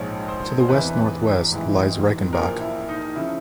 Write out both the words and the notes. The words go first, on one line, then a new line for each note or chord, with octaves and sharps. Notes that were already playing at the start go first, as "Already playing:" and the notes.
To the west-northwest lies Reichenbach.
Already playing: A#1 G#2 F3 C#5
C5
C5
E2 C3 E3 B4
A1 G#2 E3
A#1 A#2 F3 A#4
E4
D#4
C#3 F3 E4